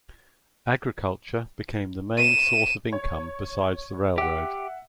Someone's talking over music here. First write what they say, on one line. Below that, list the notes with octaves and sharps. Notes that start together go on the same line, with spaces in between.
Agriculture became the main source of income besides the railroad.
D#7 E7
C#5
G4 E5 F#5